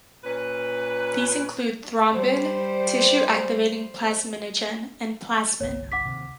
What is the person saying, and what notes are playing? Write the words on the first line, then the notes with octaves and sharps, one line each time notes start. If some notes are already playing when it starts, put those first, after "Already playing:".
These include thrombin, tissue activating plasminogen and plasmin.
A#2 C#4 B4
G3 C5
G1 C2 C#5
F#5 D6 B6
D#2 C3 D#3